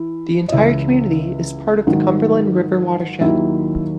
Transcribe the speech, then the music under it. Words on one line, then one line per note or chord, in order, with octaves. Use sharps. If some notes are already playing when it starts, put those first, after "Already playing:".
The entire community is part of the Cumberland River watershed.
Already playing: E3 E4
D#5
C#2 C#3 E3 E4 E5
G#2 D#3 F#3
D#2 D#3 F#3 E4 E5